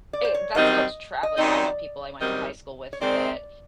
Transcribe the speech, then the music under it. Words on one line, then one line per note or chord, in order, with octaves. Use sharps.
Eh, that's still t traveling, I know people I went to high school with that
D5
C5
C#5
F#2 D#3 G3 C4 D#4 D#5
D#5
F#2 D#3 G3 C4 D#4 D5
F#2 D#3 G3 C4 D#4
C#5
D#3 G#3 C4 D5